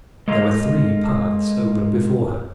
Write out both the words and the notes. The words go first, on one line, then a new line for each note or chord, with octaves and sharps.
There were three paths open before her.
G#3 A#3 F4 A4 D#5 F5